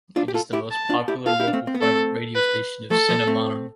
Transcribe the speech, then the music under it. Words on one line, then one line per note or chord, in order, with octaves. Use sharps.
It is the most popular local private radio station of Seine-et-Marne.
D4 F4
G4
F4 A4
E4 G4
A5
D4 F4
E4 G4
F4 A4 F5
E4 G4
D4
A3 C4
C4
B3
A3 C4 A4
B4
F3 A3 A4
F3 A3
A3 C4